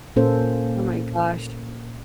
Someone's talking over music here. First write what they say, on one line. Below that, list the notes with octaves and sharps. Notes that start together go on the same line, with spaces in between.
Oh my gosh.
A#2 A#3 C#4 A4 C5